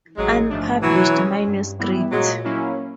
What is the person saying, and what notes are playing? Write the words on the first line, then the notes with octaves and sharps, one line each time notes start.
Unpublished manuscript.
A1 F#3 G#3
G#2 F3 A3 D4
B2 E3 F#3
G#3 C#4
G2
E3 G3 B3 E4
A#2 F#3 G#3
F#3 A#3 C#4 E4